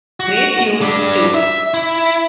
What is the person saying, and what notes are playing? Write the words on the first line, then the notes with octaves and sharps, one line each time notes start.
Great tunes too.
F#4
G3 D4
E5
E4